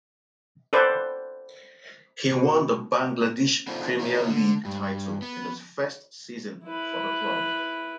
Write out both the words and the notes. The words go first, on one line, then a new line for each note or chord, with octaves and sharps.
He won the Bangladesh Premier League title in his first season for the club.
A4 B4 C5 D5
B2
B3 D4 D#4 F4 A4 C5
E4 F4 A#4 C5 C#5
D3
G2
B3
E4 B4